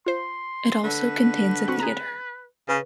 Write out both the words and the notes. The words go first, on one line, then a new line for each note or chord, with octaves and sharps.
It also contains a theatre.
F4 C5 C6
D3 B4
C4 F#4 F#5
G#4 A#5
C#3 B4